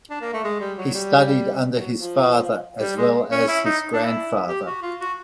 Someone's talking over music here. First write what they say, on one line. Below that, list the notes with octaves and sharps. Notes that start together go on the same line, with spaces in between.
He studied under his father as well as his grandfather.
D4
A#3
A3
G#3
G3
F#3
G3
F#3
F3
G3
G#3
C#4
E4
D#4
D4
E4
G4
F#4
F4
F#4